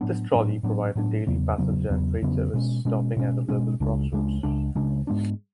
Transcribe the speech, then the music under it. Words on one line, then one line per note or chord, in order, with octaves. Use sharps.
This trolley provided daily passenger and freight service, stopping at a local crossroads.
A2 F#3 B3 D4
A2 F#3 B3 D4
A2 F#3 B3 D4
A2 F#3 B3 D4
E2 C#3 F#3 B3
E2 C#3 F#3 B3
E2 C#3 F#3 B3
E2 C#3 F#3 B3
B2 G#3 C#4
B2 G#3 C#4
B2 G#3 C#4
B2 G#3 C#4
C#2 C#3 G#3 D4
C#2 C#3 G#3 D4
C#2 C#3 G#3 D4
C#2 C#3 G#3 D4
G#2 G#3 B3 D4